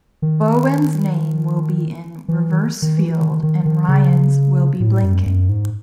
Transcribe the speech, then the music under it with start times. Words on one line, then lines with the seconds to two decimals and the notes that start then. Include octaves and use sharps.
Bowen's name will be in reverse-field and Ryan's will be blinking.
0.22 D#3
2.28 E3
2.52 D#3
2.82 D#3
2.98 E3
3.20 D#3
3.43 D#3
3.66 D#3
3.88 C#3
4.80 A2
5.03 F#2
5.26 F#2
5.49 G#2